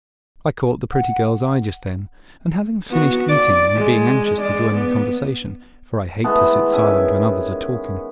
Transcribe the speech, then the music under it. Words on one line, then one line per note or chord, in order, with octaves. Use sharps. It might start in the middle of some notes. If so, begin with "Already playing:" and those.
I caught the pretty girl's eye just then, and having finished eating, and being anxious to join the conversation, for I hate to sit silent when others are talking.
F#5
B3 F#4
D5
G#3
G#3 D5
B3
E3 G#3 A3 B3
D#3 C#4 E5 G#5